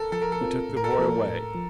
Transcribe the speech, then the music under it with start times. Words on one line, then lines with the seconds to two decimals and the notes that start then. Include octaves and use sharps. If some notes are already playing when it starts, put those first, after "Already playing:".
We took the boy away.
Already playing: A4 A#4
0.12 F3 A4
0.22 A#4
0.32 A4
0.41 C4 F4 A#4
0.69 A2
0.77 A#4
0.84 A4
0.91 A#4
0.98 F3 A#3 F4 A4
1.26 A2
1.55 F3